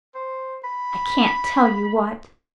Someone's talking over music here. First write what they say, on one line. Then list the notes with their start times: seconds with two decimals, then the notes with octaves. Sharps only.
I can't tell you what.
0.15 C5
0.64 B5